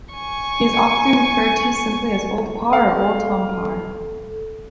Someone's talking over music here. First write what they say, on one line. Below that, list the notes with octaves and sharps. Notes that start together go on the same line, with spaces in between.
He is often referred to simply as Old Parr or Old Tom Parr.
G#5 C#6
A4 F5